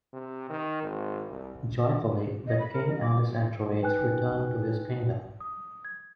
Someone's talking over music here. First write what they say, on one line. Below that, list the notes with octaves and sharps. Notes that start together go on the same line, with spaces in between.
Joyfully, the king and his entourage return to his kingdom.
C3
D#3
G#1
C2
D#5
B5
A#4
D#5
D6
D#4 B4 G5 G#5 F#6
D#6
G#6